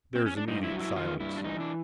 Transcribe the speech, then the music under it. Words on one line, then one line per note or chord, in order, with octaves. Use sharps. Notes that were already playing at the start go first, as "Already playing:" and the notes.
There was immediate silence.
C4
C#4
D4
G2 D#4
E4
F#3
E4
D#3 F4
G2 E4
D4
E3 D#4
D4